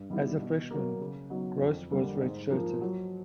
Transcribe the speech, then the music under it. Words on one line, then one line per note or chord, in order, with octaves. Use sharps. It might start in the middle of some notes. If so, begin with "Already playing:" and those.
As a freshman, Groce was redshirted.
Already playing: G2
D#3 G3 B3 E4
B2
F#3 A#3
C#3
F#3 B3 D#4
F2
D3 G3 A#3
G#2
F3 A#3
F#3